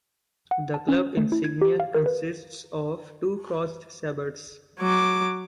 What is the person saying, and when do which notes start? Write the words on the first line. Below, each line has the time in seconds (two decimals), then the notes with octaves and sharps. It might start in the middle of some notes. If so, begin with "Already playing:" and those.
The club insignia consists of two crossed sabres.
0.51 F#5
0.74 A5
0.89 C#4
1.17 A3
1.32 E4
1.44 G#6
1.62 G4
1.80 F5
1.94 A#4
2.06 B4
4.80 F#3 D6